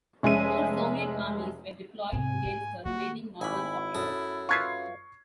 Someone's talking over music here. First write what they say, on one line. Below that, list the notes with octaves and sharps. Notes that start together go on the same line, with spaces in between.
Four Soviet armies were deployed against the remaining northern pocket.
F1 G#3 C#4 E5 D#7
G#2 C3 G#5
G#2
D#3 A#3 F#4
G#1 E4 G#5 B5
F#2 A4 D#6
F4 B4 E5 C#6 G#6 C7